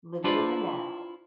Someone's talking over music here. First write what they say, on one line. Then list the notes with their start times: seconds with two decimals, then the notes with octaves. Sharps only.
Living in the now.
0.24 D4 E4 F4 B4 C5 D5